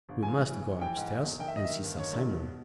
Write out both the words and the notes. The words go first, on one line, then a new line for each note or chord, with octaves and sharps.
We must go upstairs and see Sir Simon.
G1
E3 G#5
E3
E3
E3
E3 G5
G#2
E1
E2
D#3 G5
E5
D#3 D#5
E5
D#3
G1
D#3 C#5
G2
B2